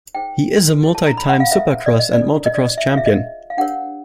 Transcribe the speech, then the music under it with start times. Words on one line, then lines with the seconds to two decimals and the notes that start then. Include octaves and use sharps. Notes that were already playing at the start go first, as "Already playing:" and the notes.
He is a multi-time supercross and motocross champion.
0.15 D#4 G#4 C5 G5
0.83 E4 G#4 C#5
0.95 A5
1.07 A#5
1.17 B5
1.29 F#5
1.40 F5
1.51 E4 A4 C5 E5
1.86 D5
1.99 D#5
2.13 D5
2.21 D4 F4 A4
2.46 D#5
2.55 D5
2.66 D#5
2.78 E5
2.89 F4 G#4 C#5 F5
2.97 E5
3.06 D#5
3.50 F5
3.57 D4 G4 A#4 C#5 F#5